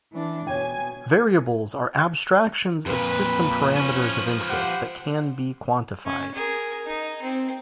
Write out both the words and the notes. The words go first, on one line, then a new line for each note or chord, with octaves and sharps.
Variables are abstractions of system parameters of interest, that can be quantified.
E3 D4
B2 C#5 G5 G#5
F2 A#2 B4
F3 C#4 B4
G4 C5 F#5
C#4
G#4 A#4
D#4
C4